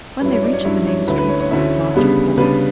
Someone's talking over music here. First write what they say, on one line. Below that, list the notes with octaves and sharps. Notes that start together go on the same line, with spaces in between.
When they reached the main street the master paused.
G2 F#3 C#4 E4 B4
C#5
D5
C#5
G2 F#3 C#4 E4 C#5
C#5
D2 D3 A3 C#4 E4 B4
B4
C#5
C#5
D2 D3 A3 C#4 E4
C#3 G3 B3 D4
C#3 G3 B3 D4 B4